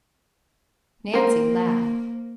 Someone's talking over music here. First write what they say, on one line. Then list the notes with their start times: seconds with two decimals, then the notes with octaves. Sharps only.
Nancy laughed.
1.14 A#3 C4 A#4